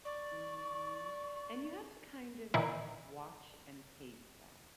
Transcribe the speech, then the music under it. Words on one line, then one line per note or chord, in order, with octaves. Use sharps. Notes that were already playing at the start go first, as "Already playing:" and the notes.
Mhm. And you have to kind of watch and pace that
D5 C#6
A#2 D#3 E3 E4